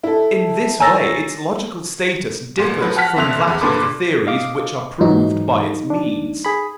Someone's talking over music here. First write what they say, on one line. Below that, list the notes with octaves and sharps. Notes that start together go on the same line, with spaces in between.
In this way its logical status differs from that of the theories which are proved by its means.
E4 A4
C#5 G#5 A#5 E6 A6 A#6
A1 A#2
F3 F#3 B4
F#5 A5 F6 B6
F2 A#2 E5 F#6 F7
E2
G2 A#2 A4 B4 D6
D#5 F5 D6
G#2 E3 F#3 D#4
D4
G#4 B5